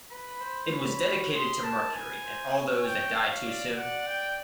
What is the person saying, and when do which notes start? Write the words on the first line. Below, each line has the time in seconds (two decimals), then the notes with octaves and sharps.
It was dedicated to Mercury and all those that die too soon.
0.11 B4 B5
0.41 C5
0.72 C#5 B5
1.32 G#4 C6
1.63 A#4 A5
1.94 B4 G#5
2.24 C5
2.54 C#5 G#5
2.85 G5
3.16 F5
3.45 D5
3.76 D5 F#5
4.07 G5